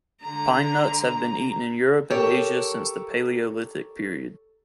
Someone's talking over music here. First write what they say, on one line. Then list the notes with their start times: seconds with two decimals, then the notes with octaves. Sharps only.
Pine nuts have been eaten in Europe and Asia since the Paleolithic period.
0.22 D3 A#5
2.10 G4 A4 A#4 C#5